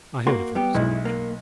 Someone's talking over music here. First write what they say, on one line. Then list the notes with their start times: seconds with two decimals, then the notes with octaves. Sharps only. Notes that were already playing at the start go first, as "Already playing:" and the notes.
"I heard of her," said Matcham.
0.27 A#3 F#4 C6
0.55 G3 B3 G4
0.74 B1 G#3 E4
1.05 A#3